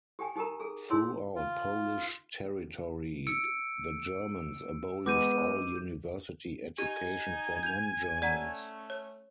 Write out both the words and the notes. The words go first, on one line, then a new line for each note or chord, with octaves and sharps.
Throughout Polish territory the Germans abolished all university education for non-Germans.
G4 A4 G5 G#5
D#4 G4 A4 A#4 A#5
G#4 A4
D#4 E4 G#4 C#5 C6 E6
F4
E6 C#7 D7
G#3 B3 D6 G6 D#7
D#4 G4 G#5
G6 F7
A3 C#4 D5 F#5 A#5
C#5